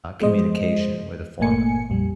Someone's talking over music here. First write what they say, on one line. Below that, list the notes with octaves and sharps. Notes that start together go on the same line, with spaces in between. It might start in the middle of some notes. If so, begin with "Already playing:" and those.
communication with a former?
F3 G#3 B3 C5 D#5
G1 A#2 A3 A#3 G#5 C#7
A#1 F2 G3